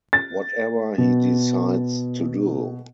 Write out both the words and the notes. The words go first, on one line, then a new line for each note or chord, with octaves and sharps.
Whatever he decides to do!
A6
B2